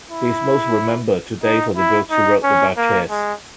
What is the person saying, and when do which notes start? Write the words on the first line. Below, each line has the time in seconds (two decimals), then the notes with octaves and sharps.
He is most remembered today for the books he wrote about chess.
0.10 E4
1.43 D#4
1.77 E4
2.10 D#4
2.43 C#4
2.77 A#3
3.10 G#3